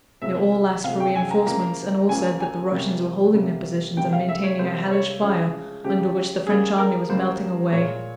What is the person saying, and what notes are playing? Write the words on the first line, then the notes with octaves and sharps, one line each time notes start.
They all asked for reinforcements and all said that the Russians were holding their positions and maintaining a hellish fire under which the French army was melting away.
C3 F3 G#3 E5
C3 F3 G#3 F5
G5
G#5
A#5
C#3 F3 A#3 A#5
C#3 F3 A#3 G#5
G#5
C3 G3 A#3
C3 G3 A#3
C3 G3 A#3 G5
F5
E5
C#5
C3 G3 A#3 C5
C#5
C#3 F3 G#3 G#4
C#3 F3 G#3 G4
C#3 G3 A#3 G#4
A#4
C#3 G3 A#3 C5
A#2 G#3 C#5